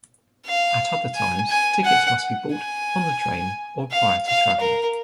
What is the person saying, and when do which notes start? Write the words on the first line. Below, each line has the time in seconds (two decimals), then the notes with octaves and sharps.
At other times, tickets must be bought on the train or prior to travel.
0.46 F5
1.15 G#5
1.50 G#5
1.84 F#5
2.53 G#5
3.91 F5
4.26 F5
4.60 A#4